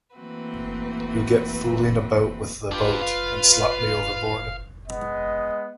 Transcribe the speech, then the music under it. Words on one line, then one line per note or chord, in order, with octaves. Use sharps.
You get fooling about with the boat, and slop me overboard.
E3 A3 A#3 C4 F#4 B4
D4 F4 G4 B4
F5
G#3 B3 D#5